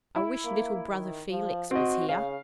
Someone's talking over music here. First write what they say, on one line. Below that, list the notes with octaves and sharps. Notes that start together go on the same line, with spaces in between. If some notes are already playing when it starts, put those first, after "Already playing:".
I wish little brother Felix was here!'
E4
A#3
D#3
F3
C4 F#4 D#5
C#3 F5